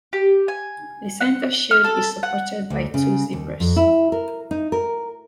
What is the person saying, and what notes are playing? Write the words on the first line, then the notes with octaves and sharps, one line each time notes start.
The centre shield is supported by two zebras.
G4
G#5
F#5
F6
A4
F#5
D2
C#3
D#2
F2
E4
A#4
D#4
A#4